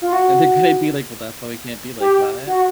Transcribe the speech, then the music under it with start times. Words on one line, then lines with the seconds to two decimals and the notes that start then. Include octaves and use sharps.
And they're gonna be like, "Well, that's why we can't be like that."
0.02 F4
0.13 F#4
2.00 G4
2.47 F#4